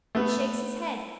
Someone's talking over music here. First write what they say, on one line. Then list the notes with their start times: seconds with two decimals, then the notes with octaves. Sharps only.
'He shakes his head!
0.15 A3 B3